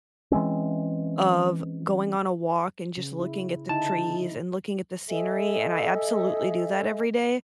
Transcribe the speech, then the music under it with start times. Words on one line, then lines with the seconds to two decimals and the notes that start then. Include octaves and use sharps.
of going on a walk and just looking at the trees and looking at the scenery, and I absolutely do that every day.
0.32 E3 G#3 C4 C#4
2.97 C#3
3.20 E4
3.69 D3 D#4 E4 A5
5.08 A4 D#5 E5 G#5